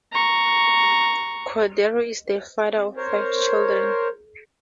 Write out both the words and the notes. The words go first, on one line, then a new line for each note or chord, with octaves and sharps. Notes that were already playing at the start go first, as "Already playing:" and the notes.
Cordero is the father of five children.
A#5 C#6
A#4 C5 C#5